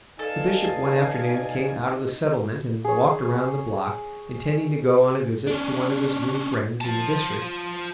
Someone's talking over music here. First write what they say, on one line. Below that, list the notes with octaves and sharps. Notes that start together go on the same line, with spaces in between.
The Bishop one afternoon came out of the Settlement and walked around the block, intending to go on a visit to one of his new friends in the district.
D#4 A4 B4 D5 D#5 F5 G#5
G#4 C#5
C#4 D4
F3 A5